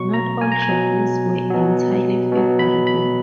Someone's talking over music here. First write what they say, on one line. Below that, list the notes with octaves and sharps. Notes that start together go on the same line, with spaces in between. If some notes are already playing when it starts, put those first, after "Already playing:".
Not all reviews were entirely favorable.
Already playing: B2 F#3 C#6
A#5
G#5
A#5
G#5
B2 F#3
B2 F#3
B2 F#3
B5
B5